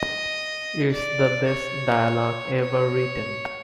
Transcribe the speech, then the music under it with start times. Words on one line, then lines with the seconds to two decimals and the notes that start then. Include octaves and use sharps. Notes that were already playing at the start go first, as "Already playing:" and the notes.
It's the best dialogue ever written.
Already playing: D#5
0.92 D5
1.49 C#5
2.60 C#5